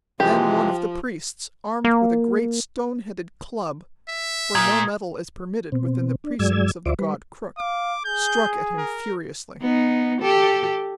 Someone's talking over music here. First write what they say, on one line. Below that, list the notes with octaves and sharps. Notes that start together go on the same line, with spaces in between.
Then one of the priests, armed with a great stone-headed club--for no metal is permitted within the precincts of the god Cruk--struck at him furiously.
C3 E3 F3 G#3 G4
A#3
E5
A#2 D#6 G#6
B2 C4
D4
G2 F#3 G#3 D5 E6 G#6
D2 F4 C5 D5 E5 D6
G3 B4
F5 D6
G#4 G6
A#4
B3 D#4
G4 A4